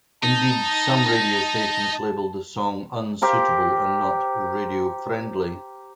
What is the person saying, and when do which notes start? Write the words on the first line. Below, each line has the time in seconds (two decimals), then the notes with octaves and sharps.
Indeed, some radio stations labelled the song 'unsuitable' and not 'radio-friendly'.
0.23 D#4 A5
3.22 G4 A#4 C5